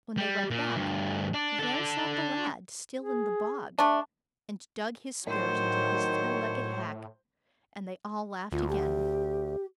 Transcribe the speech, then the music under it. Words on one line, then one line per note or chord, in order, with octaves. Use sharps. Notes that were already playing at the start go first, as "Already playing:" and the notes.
When they went back, there sat the lad still in the bog, and dug his spurs into his three-legged hack, and they all laughed again.
G3
A#2
D2 G2
D4
D4 A4
G#4
A3 D4
A2 D#3 F#3 C5 C#5
D2 F4
G4